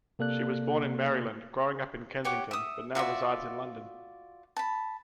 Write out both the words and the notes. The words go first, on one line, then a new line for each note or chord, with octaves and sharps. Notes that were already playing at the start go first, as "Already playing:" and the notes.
She was born in Maryland, growing up in Kensington, but now resides in London.
C3 A#3 A4 D5 F#6
G4 C#5 F#5 D6
E5 D#6
F4 F#4 D5 E5
A5 B5